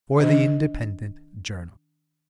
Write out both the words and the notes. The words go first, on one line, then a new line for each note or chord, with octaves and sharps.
For the Independent Journal.
D#3 D4 D#5